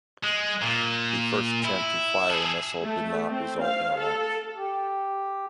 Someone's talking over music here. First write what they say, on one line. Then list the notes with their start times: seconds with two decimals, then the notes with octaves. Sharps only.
The first attempt to fire a missile did not result in a launch.
0.23 G#3
0.62 A#2
1.64 E4
2.30 G#4 A4
2.84 A3
3.31 C4
3.62 F5
3.95 A4
4.55 G4